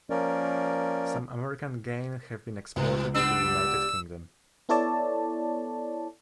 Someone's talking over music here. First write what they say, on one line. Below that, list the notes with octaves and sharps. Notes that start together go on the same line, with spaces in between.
Some American Game have been exported to the United Kingdom.
F3 A#3 C#4 A#4 D5
C#2 G#2 B2
G3 B3 D4 E6
B3 E4 A4 C#5 D5 A5